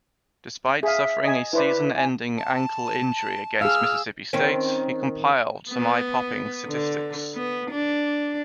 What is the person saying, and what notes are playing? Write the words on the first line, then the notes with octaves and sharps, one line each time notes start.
Despite suffering a season-ending ankle injury against Mississippi State, he compiled some eye-popping statistics.
G#4 E5 F5
D#5 G#5
E4 B4 C5 D5
G#5
A5
G#4 F5 E6 F6
D#3 C4 C#4
B3
D3
B3
D4